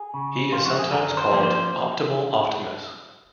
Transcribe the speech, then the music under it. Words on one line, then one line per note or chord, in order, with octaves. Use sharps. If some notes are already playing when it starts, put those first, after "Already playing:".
He is sometimes called Optimal Optimus.
Already playing: G#4
C#3
F3 G#3 C4 F4
F#4
G#4
F#2 A#4
C5
F3 A#3 C#4
C5